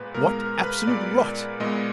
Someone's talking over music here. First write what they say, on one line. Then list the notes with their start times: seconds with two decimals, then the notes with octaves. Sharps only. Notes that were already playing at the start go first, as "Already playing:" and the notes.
'What absolute rot!
Already playing: A#2 G#3 B3 B4
0.14 A#2 G#3 B3 A#4
0.39 A#4
0.63 B4
0.87 A#2 G#3 B3 D5
1.60 A#2 G#3 B3 D#5